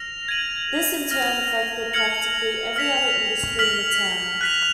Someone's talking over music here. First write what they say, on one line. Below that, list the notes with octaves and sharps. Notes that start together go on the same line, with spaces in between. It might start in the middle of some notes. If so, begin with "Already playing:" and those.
This in turn affected practically every other industry in the town.
Already playing: F6 A#6 F7
G#6 D#7 F#7
F6 A#6 F7
F6 G#6 C#7 F#7
F6 B6 F7
F6 B6 F#7
F#6 B6 F7